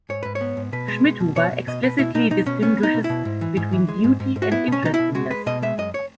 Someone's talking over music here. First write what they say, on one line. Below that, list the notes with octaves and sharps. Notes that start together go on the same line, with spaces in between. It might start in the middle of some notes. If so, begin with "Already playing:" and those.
Schmidhuber explicitly distinguishes between beauty and interestingness.
G#2 C#5
G#2 B4
C#5
B3
G#2
B2 B4
G#3
B2
B2
B2 C#5
B2
B2 D#5
B2 B4
B2 E4
B2 D#4
B2 D#4
B2 C#4
B3 C#4
B3
D#4
B2
E4
B2
G#2
E3
G#2
E3
G#3
G#2
G#2
G#2
F#4
B3 E4
B2 C#4
B2 D#4
E4
B2
G#3 F#4
G#3 B4
B2 D#5
G#3 E5
F#2 D#5
C#5